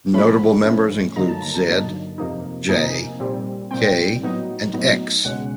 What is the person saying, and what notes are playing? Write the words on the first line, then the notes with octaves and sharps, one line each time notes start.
Notable members include Zed, Jay, Kay and Ecks.
A2 F3 A3 C#4 B5
A2 F3 A3 C#4
G2 D3 F#3 A#3 D#4 A#5
A5
A#5
A5
G2 D3 F#3 A#3 D#4
F2 C3 F3 A#3 D#4
F2 C3 F3 A#3 D#4 G#5
A#2 G3 C4
A#2 G3 C4 G5
A2 F#3 B3 D#4
A2 F#3 B3 D#4
C#2 B2 G#3 C#4 F#5